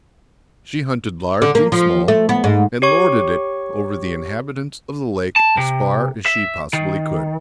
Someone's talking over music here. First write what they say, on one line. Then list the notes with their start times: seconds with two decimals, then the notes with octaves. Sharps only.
She hunted large and small, and lorded it over the inhabitants of the lake as far as she possibly could.
1.42 D3
1.55 A#3
1.72 F3
2.08 A3
2.29 B3
2.44 G#2
2.82 G4 C#5 C#6
5.36 A5
5.57 C3
6.26 E5
6.73 D#3